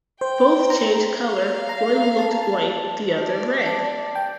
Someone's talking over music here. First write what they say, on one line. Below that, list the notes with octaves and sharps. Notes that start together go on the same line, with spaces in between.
Both changed colour, one looked white, the other red.
C5 G5
A#5
F5
A#5
A5
A5
D5
A5
G5